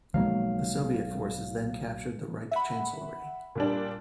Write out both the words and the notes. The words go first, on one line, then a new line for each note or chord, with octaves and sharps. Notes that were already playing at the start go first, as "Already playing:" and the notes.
The Soviet forces then captured the Reich Chancellery.
B1 F3 F#3 G#3 A#3 F5
E5 F#5 B5
A#2 G3 D4